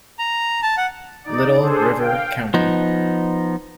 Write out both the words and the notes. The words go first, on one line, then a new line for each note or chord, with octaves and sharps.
Little River County.
A#5
A5
F#5
D#4 D5
D4 G#4 A4 C5
F5 G5
F3 B3 D#4